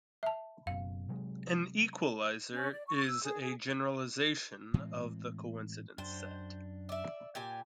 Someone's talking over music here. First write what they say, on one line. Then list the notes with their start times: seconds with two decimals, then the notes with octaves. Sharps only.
An equaliser is a generalization of the coincidence set.
0.23 E5 A5
0.67 F#1 F#2 B2 F5
1.09 C3 F#3 G#3
2.53 C#4
2.71 D5
2.88 C#6
3.04 E6
3.23 G#4
3.41 G#4
4.74 A2 E3 G#3 C4
5.98 F#2 D4 C5 G5
6.89 D5 E5
7.35 A#2 G4 G#5